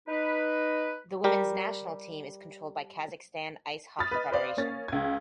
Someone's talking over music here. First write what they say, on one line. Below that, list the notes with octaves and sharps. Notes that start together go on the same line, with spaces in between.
The women's national team is controlled by Kazakhstan Ice Hockey Federation.
D#4 B4
G3 G4 A#4
B5 D#6 F6 A6
B4 D#5
B4 C5 D5 F5
A#3 C#4 A6
C#2 G#6